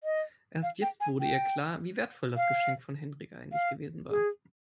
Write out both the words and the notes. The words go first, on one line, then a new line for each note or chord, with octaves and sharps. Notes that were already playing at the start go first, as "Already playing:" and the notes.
Erst jetzt wurde ihr klar, wie wertvoll das Geschenk von Henrik eigentlich gewesen war.
D#5
F5
G5
G#5
G5
F5
F5
G#4